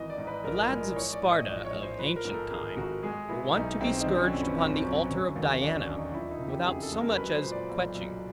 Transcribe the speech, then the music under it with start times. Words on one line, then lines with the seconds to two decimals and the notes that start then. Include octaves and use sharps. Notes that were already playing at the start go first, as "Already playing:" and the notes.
The lads of Sparta, of ancient time, were wont to be scourged upon the altar of Diana, without so much as queching.
Already playing: G#1 E3 D#5
0.10 D5
0.18 G#2
0.27 B4
0.44 A#1 A#4
0.61 D#5
0.70 G#3
0.78 D5
0.89 D5
0.96 E3 C#5
1.13 D5
1.22 A2
1.30 D#5
1.48 A#1 D5
1.65 C#5
1.74 A#1
1.83 C5
1.99 F3 B4
2.16 A#4
2.25 G#2
2.34 A4
2.51 G#1 G#4
2.77 G#1 F#4
3.03 G#3 G#4
3.29 B2 E4
3.54 B1 D#4
3.80 B1 C4
4.00 D#4
4.06 D3 D4
4.16 C#4
4.24 C4
4.33 F2
4.42 B3
4.58 G1 C4
4.84 F#3 C#4
5.10 D3
5.36 D#2
5.62 E1 D4
5.79 C#4
5.88 E1
5.97 D#4
6.14 F3 E4
6.30 D#4
6.39 C#3
6.48 G4
6.65 F2 G#4
6.83 A4
6.92 G#3
7.01 A#4
7.17 F#3 B4
7.34 C5
7.43 A#2
7.52 D5
7.69 B1
7.94 B1